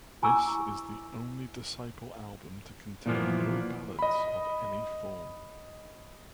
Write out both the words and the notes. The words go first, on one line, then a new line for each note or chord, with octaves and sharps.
This is the only Disciple album to contain no Ballads of any form.
E4 G#5 A#5 C#6 D6 E6
A#2 E3 F3 A#3 B3
D#5 B5